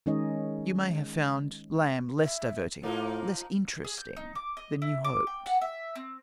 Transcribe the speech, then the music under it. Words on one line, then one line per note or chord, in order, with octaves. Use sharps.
You may have found Lamb less diverting, less interesting, than you hoped.
D#3 G#3 C#4 D#4 C#5 D#5
E5
A2 F3 A#3 D#4 F4
G#4
G6
D#4
D6
D#5
E4
D6
G5
F#5
E5
C4